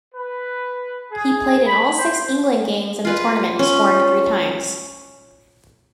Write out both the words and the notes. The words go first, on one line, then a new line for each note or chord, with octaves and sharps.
He played in all six England games in the tournament, scoring three times.
B4
G#4
B5
C5
F4 B4
C#4